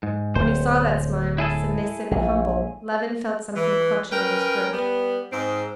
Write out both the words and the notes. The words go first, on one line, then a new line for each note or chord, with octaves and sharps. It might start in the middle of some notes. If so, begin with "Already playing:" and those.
When he saw that smile, submissive and humble, Levin felt something clutching at his throat.
G#2
D1 C5
E4 G#4 A4
A#1
E3
C#4 A#4 B4 G5
G3 B3
G#2 C4